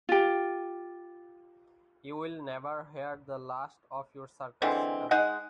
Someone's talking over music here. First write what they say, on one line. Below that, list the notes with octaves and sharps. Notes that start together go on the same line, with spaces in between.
You'll never hear the last of your circus, cousin.
F4 G4
D3 E3 G#3 C4
G#3 D#4 D#5 F#5